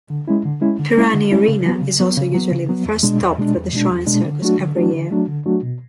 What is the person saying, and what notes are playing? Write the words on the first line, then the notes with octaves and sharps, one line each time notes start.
Perani Arena is also usually the first stop for the Shrine Circus every year.
D3
G#3 C#4 E4
D3
G#3 C#4 E4
D3
G#3 C#4 E4
D3
G#3 C#4 E4
C#3
F#3 B3
C#3
F#3 B3
C#3
F#3 B3
C#3
F#3 B3
E2
B2 G#3 D4
E2
B2 G#3 D4
E2
B2 G#3 D4
E2
B2 G#3 D4
D3
F#3 A3 D4 F#4
D3
F#3 A3 D4 F#4
D3
F#3 A3 D4 F#4
D3
F#3 A3 D4 F#4
B2